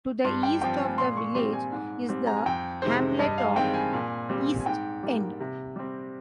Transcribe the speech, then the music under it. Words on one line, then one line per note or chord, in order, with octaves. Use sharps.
To the east of the village is the hamlet of East End.
G2 C6
G5
F3 C4 G5
G#5
A#2 C6
C#6
G3 C4 C6
G#5
G#2
G3 C4
A#5
G#5
F2 G5
C3 D#3 G#3 C5
G2 D#5
F5
D#3 G#3 C4 G5
G#5
A#2
G3 C4
G#5
G#2 G5
G3 A#3
C3
G3 C4